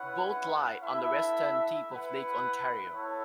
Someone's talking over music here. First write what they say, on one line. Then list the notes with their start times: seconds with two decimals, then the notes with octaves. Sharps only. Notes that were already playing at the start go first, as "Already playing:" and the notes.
Both lie on the western tip of Lake Ontario.
Already playing: C#4 E4 B4 F#5
0.82 B3 E4 A4 E5
1.87 E4 B4 F#5
2.92 B3 E4 A4 C#5